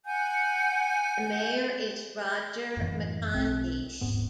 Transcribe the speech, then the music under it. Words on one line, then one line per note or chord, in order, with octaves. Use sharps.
The mayor is Roger McCondiche.
F#5 G#5 G6
F#2 A2 E3
B1 C4
D#1 G#2 B3